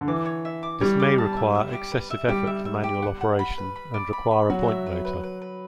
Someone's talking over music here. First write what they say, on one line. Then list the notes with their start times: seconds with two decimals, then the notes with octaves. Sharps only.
This may require excessive effort for manual operation, and require a point motor.
0.01 D3
0.08 E3 D6
0.26 C#5
0.45 E5
0.63 D6
0.81 G3 C#5
1.00 D6
1.18 A5
1.37 E5
1.55 E5
1.73 G4
1.92 B4
2.10 E5
2.28 G3 G4
2.47 E5
2.65 E5
2.84 G4
3.02 F#5
3.21 F#5
3.39 B5
3.58 B4
3.76 B5
3.94 D5
4.13 B5
4.31 B5
4.50 F#3 F#4
4.68 E5
4.86 B4
5.05 B4
5.23 B4
5.41 B4